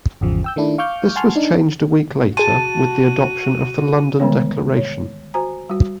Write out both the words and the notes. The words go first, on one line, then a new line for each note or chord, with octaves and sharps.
This was changed a week later with the adoption of the London Declaration.
G#1 E2 C#3 F3
G5 E6 G6
D#3 A3 D4 E4
F5 C#6 D6 F6 G6
F#5 G#5 A5 C6 C#6 F6
D4 D#4
F#4 G#4 A5 C6 D#7
D3 D#3 G3 G#3 B3 C#5
C#5
F#4 C5 G#5 A#5
G3 F#4